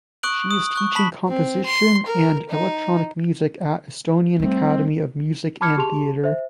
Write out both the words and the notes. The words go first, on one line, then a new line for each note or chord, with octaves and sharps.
She is teaching composition and electronic music at Estonian Academy of Music and Theatre.
C#6 D#6 F#6 D7 F#7
D#6
C#6 F#6
A5 B5 B6 F#7
C4
C6
A#4
D#4
G3 A3 C4
A5 B5 D6 F6 G#6 C#7
G4 G#4 A5 C6 F7
C5 E5